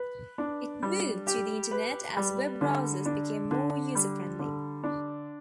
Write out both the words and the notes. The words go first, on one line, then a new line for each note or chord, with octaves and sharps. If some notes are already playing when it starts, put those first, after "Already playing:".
It moved to the internet as web browsers became more user-friendly.
Already playing: B4
D4
G3
G4
B4
G3
D3
D4
D3
G3
D3
D4